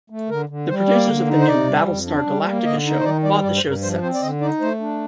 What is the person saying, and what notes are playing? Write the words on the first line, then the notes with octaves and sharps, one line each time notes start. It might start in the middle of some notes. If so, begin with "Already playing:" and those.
The producers of the new "Battlestar Galactica" show bought the show's sets.
A3
D3 A#4
D3
G3 C5
A#3 D5
D3
D#4
C5
C3 D5
G3
F2
D4
G3
A#3
D3 D#5
D#4
C5
D#3 D5
G3 D5
G2 D5
C5
G2
A#4
F3 C5
C4 C5
D5
D3 D#5
D#4 D5
A3 C5
D4